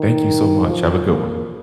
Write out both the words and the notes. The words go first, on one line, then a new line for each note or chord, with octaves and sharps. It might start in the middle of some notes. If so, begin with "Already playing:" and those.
Thank you so much. Have a good one.
Already playing: D#3
F3
A#3